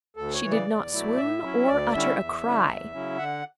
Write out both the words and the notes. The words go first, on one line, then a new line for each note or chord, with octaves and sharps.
She did not swoon or utter a cry.
D2 A4
C#5
C#3 E3
D5
E2
B2 F#3 A3 E4
A2 E5
F#3 C#4 E4
D2 D5
D3 G3 C#4 E4 E5
E2
D3 G3 C#4 E4
E2
C#3 F#3 C#4 E4
D3 F#5